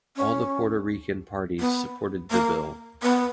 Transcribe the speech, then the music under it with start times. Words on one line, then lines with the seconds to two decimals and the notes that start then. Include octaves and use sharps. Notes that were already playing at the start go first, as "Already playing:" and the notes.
All the Puerto Rican parties supported the bill.
0.17 C#4
1.60 B3
2.31 A#3
3.03 B3